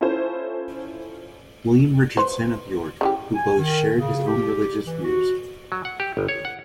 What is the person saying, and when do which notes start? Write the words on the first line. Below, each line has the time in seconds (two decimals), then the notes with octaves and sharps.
William Richardson of York, who both shared his own religious views.
0.01 C#4 E4 F4 A4 C5
2.17 B4 C5
3.01 C#3 E3 G4
3.35 G#5
3.57 D#3
3.96 C#3
4.27 G4
4.86 E3
5.04 F#4
5.72 F#3
5.85 F#5
6.00 G4
6.17 G1
6.28 C#5
6.45 F#5